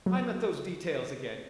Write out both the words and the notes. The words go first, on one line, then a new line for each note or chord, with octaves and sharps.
I'm at those details again.
F#3